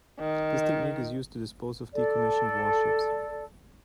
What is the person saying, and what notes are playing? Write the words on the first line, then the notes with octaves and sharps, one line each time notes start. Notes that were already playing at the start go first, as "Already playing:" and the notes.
This technique is used to dispose of decommissioned warships.
D#3
A4 D5